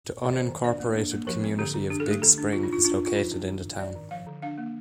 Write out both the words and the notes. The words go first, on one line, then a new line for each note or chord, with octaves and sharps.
The unincorporated community of Big Spring is located in the town.
D5
D#3 C5
D#3
D4 D5
A#3
D4
A#3
F3 A#4
C4
D3 G4
D3
D4 G4
A4
A3 G4
D3 A4
D4
D4 F4
D#4
D4 F4
D4 F4
D4
F4
F3 D#4
D4
D#3
D#3
D#3 D5
D#3
F3 F5
D3
D4 F5
A#3